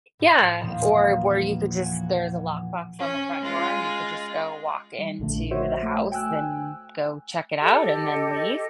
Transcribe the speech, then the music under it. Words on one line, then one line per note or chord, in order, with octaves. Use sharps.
Yeah. Or where you could just there's a lockbox on the front door, and you could just go walk into the house, then go check it out, and then leave,
A2
E2 A#2 D#3 F3 G#3 A#3
F#4 F#5 G#5
C#4
G#3 F4
G3
A#1 A#2 D3 F3 A3
F#4 C5 C#5 E5
A3
G5 G#5 E6 F#6
G4 A4 D#5